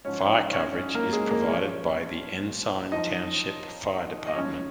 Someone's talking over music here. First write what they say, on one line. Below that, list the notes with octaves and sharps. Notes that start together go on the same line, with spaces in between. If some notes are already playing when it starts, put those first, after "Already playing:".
Fire coverage is provided by the Ensign Township Fire Department.
G#2 F3 C#4 C#5
D#4 D#5
C#4 C#5
C#4 C#5
A#3 A#4
G#3 G#4
A#3 A#4
A#2 F3 C#4 C#5
F2 F3 D#4 D#5
D#5
F2 C#3 F3 C#4 C#5